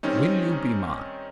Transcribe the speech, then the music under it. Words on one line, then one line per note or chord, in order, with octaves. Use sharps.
Will you be mine?
D#3 G3 C4 C#4 D#4